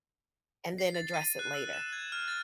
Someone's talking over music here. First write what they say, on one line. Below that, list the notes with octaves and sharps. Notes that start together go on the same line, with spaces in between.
and then address it later.
C7
A6
D#7
F#6
E6
E7
G#6
F6
A6